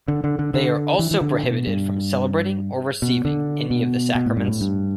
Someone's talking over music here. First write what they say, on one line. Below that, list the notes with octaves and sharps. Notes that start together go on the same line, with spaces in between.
They are also prohibited from celebrating or receiving any of the sacraments.
D3
D3
D3
D3
E3
E3
D3
B2
G2
B2
D3
B2
B2
A2
G2
A2
G2